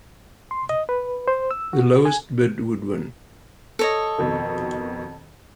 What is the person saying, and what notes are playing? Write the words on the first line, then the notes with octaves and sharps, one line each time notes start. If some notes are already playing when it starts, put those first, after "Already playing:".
The lowest bid would win.
C6
D#5
B4
C5
E6
F#4
G#5
A4 C#5 D#5
F2 B2 D#3